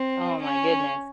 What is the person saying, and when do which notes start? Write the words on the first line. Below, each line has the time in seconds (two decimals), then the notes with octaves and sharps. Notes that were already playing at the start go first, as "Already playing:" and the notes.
Oh my goodness.
Already playing: C4
0.43 C#4